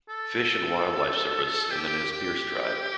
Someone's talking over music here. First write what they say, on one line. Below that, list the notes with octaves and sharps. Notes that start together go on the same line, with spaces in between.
Fish and Wildlife Service and the Nez Perce Tribe.
A4
G4
G4